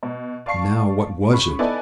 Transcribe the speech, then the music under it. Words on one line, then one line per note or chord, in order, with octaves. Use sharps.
"Now, what was it?"
B2
D5 F5 A5 C#6 C7
C#3 B5 C#6
B3 D#4 E4 A4 D5 G#5